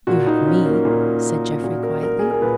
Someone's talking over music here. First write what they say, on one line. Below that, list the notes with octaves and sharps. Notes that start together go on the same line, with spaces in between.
"You have me," said Jeffrey quietly.
A#2 F#4
D#4
C#4
A#3
A#2 A#3
A#2 F#4
A#4
A#4
G#4
A#4
A#2 B4